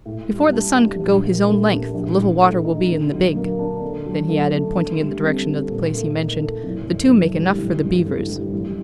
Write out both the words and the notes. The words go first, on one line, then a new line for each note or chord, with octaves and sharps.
"Before the sun could go his own length, the little water will be in the big." Then he added, pointing in the direction of the place he mentioned, "the two make enough for the beavers."
A2
G3
D4
G4
A#1
A#2
A3
D4
A#1
A2
A3
D#4
D3
F#3
A#3
D4
D3
F#3
A3
D3
D3
G3
C4
D3
A#2
A3
D#4
A4
F#1
F#2
D3
G3
A1
G2
D3
G3
A1